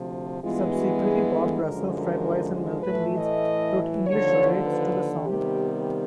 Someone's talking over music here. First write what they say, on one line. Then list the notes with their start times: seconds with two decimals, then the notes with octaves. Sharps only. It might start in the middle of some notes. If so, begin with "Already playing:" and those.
Subsequently, Bob Russell, Fred Wise and Milton Leeds wrote English lyrics to the song.
Already playing: D2 C3 F3
0.41 G2 E3 G#3 B3 F4
0.72 F#4
1.02 G#4
1.32 A4
1.62 F#2 D3 F3 G#3 A#4
1.93 A#4
2.83 A2 E3 A3 B4
3.15 D#5
4.05 D#2 D3 F3 C#5
4.65 B4
5.26 C3 D#3 G3 B3 G4